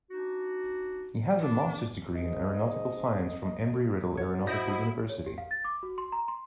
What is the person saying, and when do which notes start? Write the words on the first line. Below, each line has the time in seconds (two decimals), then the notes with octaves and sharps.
He has a master's degree in aeronautical science from Embry-Riddle Aeronautical University.
0.10 D4 D#4 F#4
1.39 D4
2.15 G#2 D#5
4.17 F#4 C#5 A6
4.47 E4 C5 D#5 D#6
5.09 C#5
5.26 G4
5.38 F5
5.51 A6
5.65 D6
5.83 F#4
5.98 C6
6.12 A#5
6.28 C6